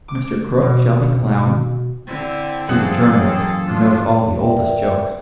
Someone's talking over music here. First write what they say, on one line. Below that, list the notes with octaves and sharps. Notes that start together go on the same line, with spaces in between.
Mr. Crook shall be clown; he's a journalist and knows all the oldest jokes.
D6
B2
D3 C4 E4
F#2 E3 A#3 C4 G#4 A4 F#5
F3 D4 F4
A#4 B4 D5 E5 G5